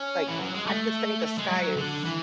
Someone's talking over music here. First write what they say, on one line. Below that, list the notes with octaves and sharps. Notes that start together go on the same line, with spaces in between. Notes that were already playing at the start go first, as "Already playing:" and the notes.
Like, I could say the sky is,
Already playing: C#4
E3
F#3
G#3
A3
G#3
F#3
D3
E3